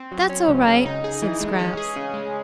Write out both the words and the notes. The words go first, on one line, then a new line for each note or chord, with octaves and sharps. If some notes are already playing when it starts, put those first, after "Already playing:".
"That's all right," said Scraps.
Already playing: C4
F#3
C#4
C#2
C#3
D#4
G#4
E3
G#3
C#4
G#4
C#3
G#3